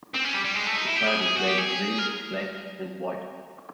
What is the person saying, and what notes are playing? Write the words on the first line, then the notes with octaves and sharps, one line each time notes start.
The party flag is red, black and white.
C4
C#4
G3
G3
G#3
A3
D#4
E4
G4
G#4
G#4
F#4
G4
G#4
A#4